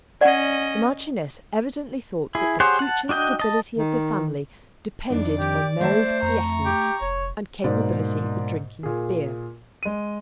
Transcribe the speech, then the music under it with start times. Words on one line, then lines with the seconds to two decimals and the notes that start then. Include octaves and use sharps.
The Marchioness evidently thought that the future stability of the family depended on Mary's quiescence and capability for drinking beer.
0.21 C#4 D5 D#5 F#5
2.35 E4 G#4
2.60 G4 G#4 C5 C#5 F#5
2.79 F#5 A5
3.09 D4 F#4 D#5 G5
3.40 D#5 A5
3.78 D#3
5.10 F2 D4 D#4 D5
5.39 D#3 G4
5.80 A3 C5 E5 A5
6.22 F2 A#5 C#6
6.65 G4
7.01 F1 C#5
7.64 G#2 B2 A#3 C5 D5
8.83 A#2 G#4
9.83 G#3 D#7